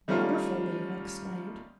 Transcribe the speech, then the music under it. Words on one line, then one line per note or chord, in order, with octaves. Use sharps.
"Wonderful!" Lea exclaimed.
D#3 G3 A3 C#4 F4